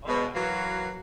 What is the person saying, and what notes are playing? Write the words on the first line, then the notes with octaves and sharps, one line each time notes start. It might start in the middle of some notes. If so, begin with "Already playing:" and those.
Oh yeah,
B2 G#3
E3 F#3 F#4 A#4 B4 F5